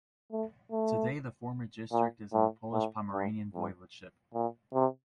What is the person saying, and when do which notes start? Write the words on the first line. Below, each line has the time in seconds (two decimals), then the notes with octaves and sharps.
Today the former district is in the Polish Pomeranian Voivodeship.
0.32 A3
0.72 A3
1.92 A#2
2.33 A2
2.73 A2
3.13 G2
3.54 F2
4.34 A#2
4.74 C3